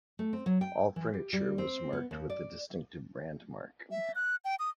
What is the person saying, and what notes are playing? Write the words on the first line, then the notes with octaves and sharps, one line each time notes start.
All furniture was marked with the distinctive brand mark.
A3
C4
F#3
G5
E3
G4
G3
C4
B3
D#2
D5
E5
F#6
G5
D#6